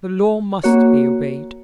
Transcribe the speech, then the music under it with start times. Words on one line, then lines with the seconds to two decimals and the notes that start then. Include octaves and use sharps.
The law must be obeyed.
0.63 A#3 F#4 C#5